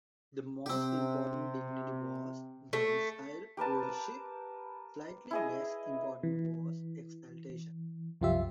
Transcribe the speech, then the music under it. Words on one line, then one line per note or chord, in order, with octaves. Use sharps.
The most important dignity was domicile rulership; slightly less important was exaltation.
C3 C4 G4
A3
G4 A#4 B4 A5
E4 G#4 D#5
E3
C2 F#2 F3 F4 G4 E5